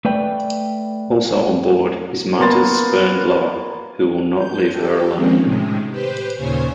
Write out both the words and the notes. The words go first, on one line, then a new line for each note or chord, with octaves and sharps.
Also on board is Marta's spurned lover, who will not leave her alone.
A3 B4 D5 G5
A#3 B3 A#5 C6 A6
G6
G4 A4
D#3 F3 G#3 A#3 C4 C#4
A2 C3 D#3 G#3
G4 B4 C5
D#2 A#2 C#3 C5 C#5 G#5